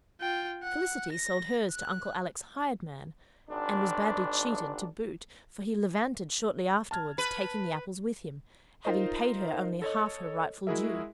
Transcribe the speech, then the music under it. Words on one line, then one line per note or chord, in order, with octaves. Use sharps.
Felicity sold hers to Uncle Alec's hired man--and was badly cheated to boot, for he levanted shortly afterwards, taking the apples with him, having paid her only half her rightful due.
F4 G5
F#5
A#6
F#6
G#1 D4
A5 F6 G#6
B4
D#4 F4 A#4 C5 D#5
A4 C#5 D#5
G#3 E4 F#4 G#4 A#4 E5